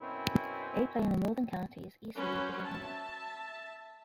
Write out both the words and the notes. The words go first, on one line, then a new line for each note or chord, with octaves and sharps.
They play in the Northern Counties East League Division One.
F#2 B2 C4 C#4 E4
F#3 C#4 B4 C5
E5 A5